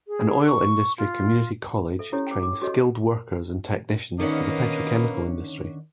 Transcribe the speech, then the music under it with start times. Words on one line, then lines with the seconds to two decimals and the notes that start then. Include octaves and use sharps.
An Oil Industry Community College trains skilled workers and technicians for the petrochemical industry.
0.08 G#4
0.47 C#6
0.98 F4
1.99 A4 E5
2.12 C#4 E4 G4 A4 C#5
2.27 G5 D6
2.43 D6
2.62 F#4 G4 A4 C#5 D#5
4.20 D#2 D3 D#3 A#3 B3 C#4 D#5